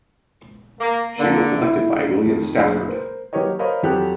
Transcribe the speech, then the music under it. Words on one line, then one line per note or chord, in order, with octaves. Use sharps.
She was selected by William Stafford.
A#3
D3 A#3
E4
F2 D#3
F#1 D4
A#4 C5
F#3 A#3 G4 A#4 C#5 D#5
A#4 C5 C#5 D#5 F5 B5
F2 F#3 G4 A4 D#6 F#6